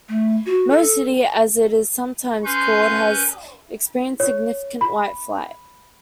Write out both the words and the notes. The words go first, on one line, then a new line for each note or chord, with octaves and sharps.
"Mo City", as it is sometimes called, has experienced significant "white flight".
A3
F#4
A4
C#4 B4 C6 G6
C#5
B5